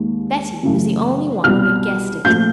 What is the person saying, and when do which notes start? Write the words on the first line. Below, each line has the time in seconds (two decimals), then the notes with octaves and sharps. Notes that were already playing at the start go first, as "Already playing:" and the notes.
Betty was the only one who had guessed it.
Already playing: D#2 D#3 G#3
0.63 F#2 C#3 E3 A3
1.44 C2 B2 G3 F6
2.24 A#2 F3 A3 G6